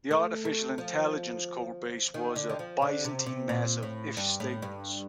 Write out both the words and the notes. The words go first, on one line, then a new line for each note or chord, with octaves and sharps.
The artificial intelligence codebase was a byzantine mess of if statements.
A3
A3
F3
D#3
D3
D#3
F3
D3
C3
C3
A#2
A2
G2
A2
G2